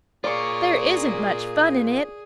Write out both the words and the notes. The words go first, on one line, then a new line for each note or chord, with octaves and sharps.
There isn't much fun in it.
F4 G#4 A#4 D5 C#6